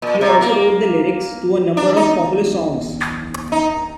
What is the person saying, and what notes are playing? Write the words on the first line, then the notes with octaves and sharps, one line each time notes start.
He also wrote the lyrics to a number of popular songs.
A#2
C3
A#3
D4
D#4
D#4